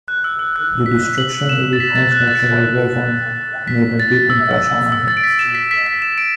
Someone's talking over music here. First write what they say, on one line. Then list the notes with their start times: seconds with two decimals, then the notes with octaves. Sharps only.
The destruction he witnessed after World War One made a deep impression on him.
0.08 F#6
0.24 E6
0.39 E6
0.56 F#6
0.86 B6
1.18 F#7
1.49 E7
1.73 A6
1.80 B6
1.95 A6
2.12 F#6
2.28 A6
3.68 B6
4.00 A6
4.30 E6
4.51 E6
4.92 E6
5.08 A6
5.17 D7
5.24 B6
5.39 E7
5.55 B6
5.71 B6
5.86 B6
6.02 E7
6.18 D7